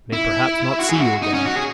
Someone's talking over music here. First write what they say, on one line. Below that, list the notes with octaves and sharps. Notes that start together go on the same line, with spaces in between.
"I may perhaps not see you again..."
E4
F#4
G#4
E4
F#4
D#4
C#4
F#4
G#4